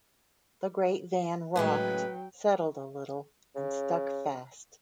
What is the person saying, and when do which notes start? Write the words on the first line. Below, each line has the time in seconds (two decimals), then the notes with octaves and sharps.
The great van rocked, settled a little, and stuck fast.
1.56 A2 C#3 F#3 G#3 B4 G5
3.55 C#3